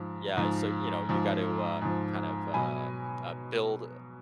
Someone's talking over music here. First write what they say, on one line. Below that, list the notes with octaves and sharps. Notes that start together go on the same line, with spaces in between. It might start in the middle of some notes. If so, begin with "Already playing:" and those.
yeah, eh, so, you know, you got to kind of um, uh, build
Already playing: G#2 F3
G#2 F3
G#2 F3
G#2 F3
B2 F#3 G#5 B5